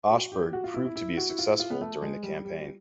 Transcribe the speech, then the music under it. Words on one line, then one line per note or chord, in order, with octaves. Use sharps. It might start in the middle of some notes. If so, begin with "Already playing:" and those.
Ascheberg proved to be successful during the campaign.
F#4
G4
F#4
F4
E4
E4
E4
F#4
E4
F4
E4
F4
B3
A3
G#3
G3
G3